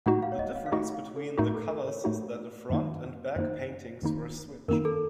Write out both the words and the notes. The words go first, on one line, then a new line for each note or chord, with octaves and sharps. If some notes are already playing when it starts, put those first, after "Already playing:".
The difference between the covers is that the front and back paintings were switched.
A2 A3 D#4 F#4 F#5
F5
C#5
D#5
F5
F5
A2 A3 D#4 F#4 D#5
F5
A4
A2 A3 D#4 F#4 A#4
A4
A#4
C#5
A2 A3 D#4 F#4
F#2 D#3 A#3 D#4
F#2 D#3 A#3 D#4 C5
F#2 D#3 A#3 D#4
F#2 D#3 A#3 D#4 A#4
A4